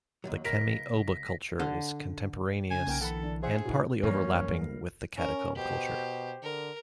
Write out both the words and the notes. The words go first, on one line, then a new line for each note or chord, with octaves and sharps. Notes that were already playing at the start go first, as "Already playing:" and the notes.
The Kemi Oba culture is contemporaneous and partly overlapping with the Catacomb culture.
D#2 G#2 F#3
C#2 A#4 A#6 B6 D7
D3
C#3 G#5
B1 A#3 A#4 G5
D3 E3 A4 F#5 B5
D4
G#4 C5 E5 F#5
A#2 D#4 E4 F#4
F#2 E3 F3 G3 A#3 C#4
C#4 A#4
B2 G4 C5
D3 A#4